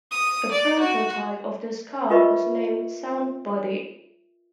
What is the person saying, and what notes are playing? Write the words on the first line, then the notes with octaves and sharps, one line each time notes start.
A prototype of this card was named "Sound Buddy".
D#6
D5
F#4
F4 A#4 B4 D#5 E5 C#6